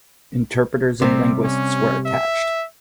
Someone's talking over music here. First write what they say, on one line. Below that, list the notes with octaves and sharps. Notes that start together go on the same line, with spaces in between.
Interpreters and linguists were attached.
C3 G3 C4
C#4
E5